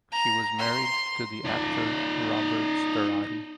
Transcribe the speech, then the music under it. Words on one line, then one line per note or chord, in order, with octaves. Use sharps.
She was married to the actor Robert Sperati.
A#5
C6
D#4 D5